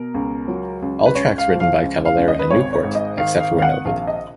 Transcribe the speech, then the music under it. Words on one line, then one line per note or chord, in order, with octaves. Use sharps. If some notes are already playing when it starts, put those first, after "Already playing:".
All tracks written by Cavalera and Newport, except where noted.
Already playing: B2 A#4
C#2
F#3
C#2
B4
C#2 C#5
F5
F3
F5
C#2
F5
C#2
D#5
B4
G#1 C#5
C#5
G#2
D#5
D#3 F5
F5
G#1
F5
F#5
A#1 F5
D#5